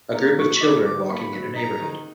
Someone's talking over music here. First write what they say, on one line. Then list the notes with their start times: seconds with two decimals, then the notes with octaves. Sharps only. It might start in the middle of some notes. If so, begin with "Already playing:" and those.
A group of children walking in a neighborhood.
0.14 A#3 A#5
0.38 F#3 C#6
0.61 D#4 D6
0.85 D#3 D6
1.09 A#3 B5 C#6
1.33 F#3
1.56 D#4 A#5
1.80 D#3